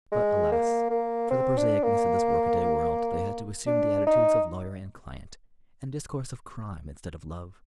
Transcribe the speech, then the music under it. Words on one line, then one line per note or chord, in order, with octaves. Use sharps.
But, alas! for the prosaicness of this workaday world, they had to assume the attitudes of lawyer and client; and discourse of crime instead of love.
G#3
A#3
A#3
C4
D4
A#3
D4
D#4